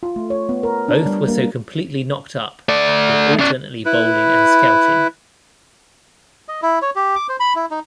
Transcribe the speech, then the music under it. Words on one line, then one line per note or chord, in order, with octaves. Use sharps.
Both were so completely knocked up, with alternately bowling and scouting.
F4
A3
C#5
B3
A#4
D4
G3
A#3
A3 D5
C#4 D5
E4 B4
D#5
E4
C#5
G4
D6
C5
B5
E4
D#4